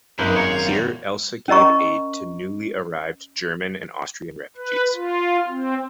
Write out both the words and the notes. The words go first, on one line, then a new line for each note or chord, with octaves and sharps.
Here Elsa gave aid to newly arrived German and Austrian refugees.
G#1 F#2 D#3 G#3 A#3 A#4 B4 G6
G#3 C#5
F5
E2 G3
C#4 A#4 D#5 A#5 C#6
B4
F4
C4